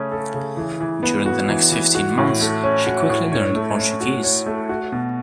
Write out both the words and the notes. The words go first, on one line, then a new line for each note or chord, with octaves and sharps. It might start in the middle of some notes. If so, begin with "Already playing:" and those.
During the next fifteen months, she quickly learned Portuguese.
Already playing: C#3 A3 C#4
A4
C#3
E3
E3
B3
F#4
E3
E3
F#4
A2
A3
C#4
F#4
A2
C#5
A3
C#4
F#4
C#5
A3
F#4
B2